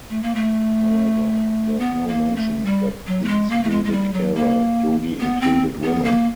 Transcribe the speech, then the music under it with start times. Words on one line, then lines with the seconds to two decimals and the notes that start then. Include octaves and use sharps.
However, there is no mention that these Vedic era Yogi included women.
0.10 A3
0.23 A#3
0.35 A3
1.80 B3
2.08 A#3
2.36 A3
2.65 G3
3.07 F#3
3.24 A3
3.28 G#3
3.50 A#3
3.63 A3
3.70 G#3
3.84 G#3
3.92 G3
4.13 F#3
4.35 A#3
5.20 B3
5.41 C4
5.83 B3
6.04 A#3